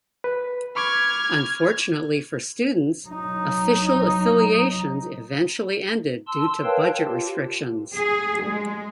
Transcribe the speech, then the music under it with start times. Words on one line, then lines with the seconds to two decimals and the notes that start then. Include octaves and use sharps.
Unfortunately for students, official affiliations eventually ended due to budget restrictions.
0.24 B4
0.76 B5 C#6 D6 F6 G#6
3.06 F#3 D#4
6.27 A5 C6 E6
6.64 A#4 B4 C#5 F5 G5 A5
7.05 F4 G4
7.97 G#4
8.45 G#3